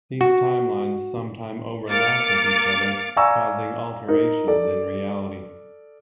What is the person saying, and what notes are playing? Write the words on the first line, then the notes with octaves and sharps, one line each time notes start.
These timelines sometimes overlap with each other, causing alterations in reality.
F#4
A#3 F5 D6 F6 A6 C#7
D5 F5 G#5 A#5 C#6 E6
D#4 A#4
A4 D5